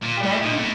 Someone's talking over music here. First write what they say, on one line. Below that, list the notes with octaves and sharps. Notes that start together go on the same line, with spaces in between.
And I remem
A#2
A2
A#2
A2